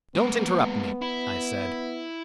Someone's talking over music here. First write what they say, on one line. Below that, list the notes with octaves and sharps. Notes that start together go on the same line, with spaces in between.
"Don't interrupt me," I said.
G#3 A#3 B3
E4